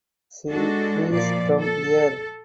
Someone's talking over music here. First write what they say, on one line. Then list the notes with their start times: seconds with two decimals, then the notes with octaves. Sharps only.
She flees from there.
0.49 G#3 D4 F#4 A4
1.11 A#2 F3 D5
1.59 A4